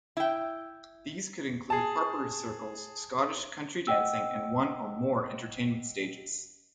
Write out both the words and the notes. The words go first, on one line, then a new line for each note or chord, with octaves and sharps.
These could include harpers' circles, Scottish country dancing, and one or more entertainment stages.
E4 G5
G#4 A5
D#5 F#5 G5 E6